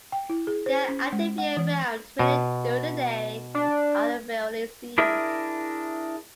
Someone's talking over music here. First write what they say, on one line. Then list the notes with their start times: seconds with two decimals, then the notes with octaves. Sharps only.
They are active year-round, mainly during the day, but are rarely seen.
0.12 G5
0.29 E4
0.47 G#4
0.66 C5
0.88 C#4
1.13 G#3
1.38 F#5
1.57 E3
2.19 B2
3.54 D4
4.98 D4 E4 G#4 A#4 E5